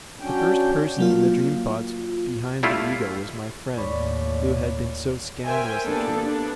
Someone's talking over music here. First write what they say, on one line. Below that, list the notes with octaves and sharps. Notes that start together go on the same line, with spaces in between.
The first person in the dream-thoughts behind the ego was my friend who had been so scandalously treated.
F#3 C#4 D4 G5
F#3 A#3 F4
G3 A3 E4 F4
D#2 A2 C#5 D5 B5
A#4 C5 E5 G5 G#5
A#3 B3 D4 G4 A4
B3 D4